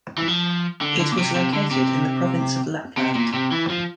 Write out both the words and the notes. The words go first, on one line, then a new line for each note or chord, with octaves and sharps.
It was located in the province of Lapland.
E3
F3
D3
D3
A#2
C3
C3
D3
C3
C3
A#2
C3
E3
F3